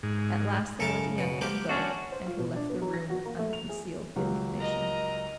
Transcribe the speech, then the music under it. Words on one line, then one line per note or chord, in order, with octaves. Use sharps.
At last they let the young man go, and he left the room with unconcealed indignation.
G#2
F#2 C#3 A4 A#4 A5
B2
F3 A#3 G4
C#4 D4 F#4
C5
F4
B2
D4
B3
F#3
A#6
F#4
A#3
A3
F7
G#4
C#2 F#3 G4
A#4 D#5 A#5